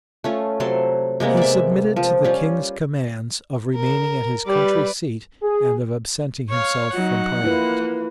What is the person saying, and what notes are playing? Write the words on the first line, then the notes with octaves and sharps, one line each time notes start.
He submitted to the king's commands of remaining at his country seat, and of absenting himself from parliament.
A3 C#4 F4
C3 F#3 A4 C6
C3 G#3 A#3 B3
D5 E5
F3
G3 C#4 F4
A#4
G3 B4 D5
G#4
C#5 F5
F#3 D#4 F#5
A#3 E4 F4 B4